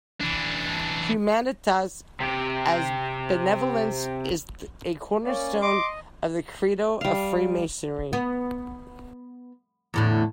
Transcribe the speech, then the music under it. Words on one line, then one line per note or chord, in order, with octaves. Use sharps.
"Humanitas", as benevolence, is a cornerstone of the credo of Freemasonry.
E3 D4
C3 G4
A#3 C#4 D5
D#5 C6 D6
G3 F5
B3
E2 A2 D3